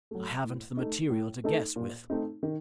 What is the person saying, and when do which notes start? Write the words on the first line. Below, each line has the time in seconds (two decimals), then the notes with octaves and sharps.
I haven't the material to guess with.
0.11 F#3 A3
0.44 A2
0.77 A3 D#4
1.10 A2
1.44 A3 D#4 A4
1.76 A#2
2.10 A3 C4 D#4
2.43 D#3